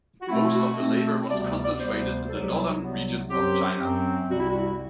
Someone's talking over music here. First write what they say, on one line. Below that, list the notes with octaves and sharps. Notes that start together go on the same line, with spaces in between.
Most of their labour was concentrated in the Northern regions of China.
F#4
B2 A3 C4 E4
F#4
B2 A3 C4
D2 C3 G3 B3 D5
D5
D2 C3 G3 B3 C5
C5
C2 C3 F#3 B3 A4
G4
E4
F#4
C2 C3 F#3 B3
F#2 F#3 C4 G4
F#2 F#3 C4
C2 C3 G3 C4 F#4
E4
F#4